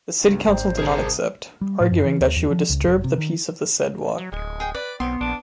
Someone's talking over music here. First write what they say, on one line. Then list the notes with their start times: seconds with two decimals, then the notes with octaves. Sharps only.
The city council did not accept, arguing that she would disturb the peace of the said walk.
0.23 C#2 G2 B3
0.47 G#1 C5 D5 G5 A#5
0.78 C2 G#4 A#4 D#6
1.61 G3
1.80 A2
1.92 F#2
2.05 E3
2.20 D#2
2.36 E2
2.51 F3
2.70 C#2
2.84 F1
3.04 C3
3.18 D#3
4.18 F#3
4.32 D1 G#3
4.60 G#4 G5
4.75 B4 D5
5.00 B1 B3 C4 C6
5.21 A#1 D4